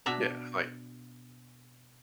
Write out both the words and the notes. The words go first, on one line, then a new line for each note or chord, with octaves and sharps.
Yeah, like
B2 D4 E5 A#5